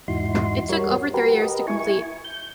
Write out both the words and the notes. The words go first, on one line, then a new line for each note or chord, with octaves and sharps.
It took over three years to complete.
E2 G#2 D#4 E4 F#4 C6
G3 F#4 A#4 C#5
F#4 G4 A#4 B4
G4 A#4 B4 D#5
E4 G#5 C#6
G6